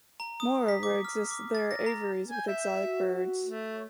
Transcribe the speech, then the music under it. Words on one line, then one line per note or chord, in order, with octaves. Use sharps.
Moreover, exists there aviaries with exotic birds.
A#5
D#6
B6
D6
F6
D6
A6
A#6
A#5
G#5 G6
E5
F#4
A3
C#5